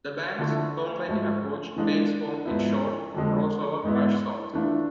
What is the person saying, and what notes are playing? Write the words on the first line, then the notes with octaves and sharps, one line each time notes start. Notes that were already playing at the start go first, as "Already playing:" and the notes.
The band's songwriting approach takes form in short, crossover thrash songs.
D3 F3 A3 E4
G#2 F3 A3
E3 G#3 D4 F4
G#2 F3 B3 E4
F2 D3 F3 G#3
G#2 G#3 B3 E4
E3 A3 D4 F4